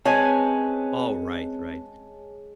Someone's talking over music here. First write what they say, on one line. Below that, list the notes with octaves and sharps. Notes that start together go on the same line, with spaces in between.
Alright, right.
G#3 C4 C#4 B4 G#5 A5